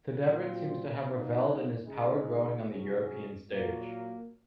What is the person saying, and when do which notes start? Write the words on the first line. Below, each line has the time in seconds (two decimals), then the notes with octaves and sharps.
Theudebert seems to have revelled in his power growing on the European stage.
0.20 A#2 F#3 C4 F4
1.02 C#3 F#3 A#3 D#4
1.85 C#3 G#3 D#4 G#4
2.67 C3 F#3 C#4 G#4
3.50 A#2 F#3 A#3